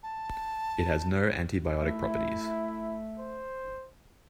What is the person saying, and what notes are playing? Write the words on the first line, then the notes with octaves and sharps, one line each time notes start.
It has no antibiotic properties.
A5
A3 E4
C5